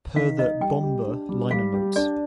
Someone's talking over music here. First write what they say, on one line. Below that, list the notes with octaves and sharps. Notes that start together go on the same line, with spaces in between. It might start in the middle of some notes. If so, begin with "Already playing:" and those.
Per the "Bomber" liner notes.
D#3 F5
D#4 D#5
G3 G5
G4
D4
G3
G3 F5
G4
D4 D5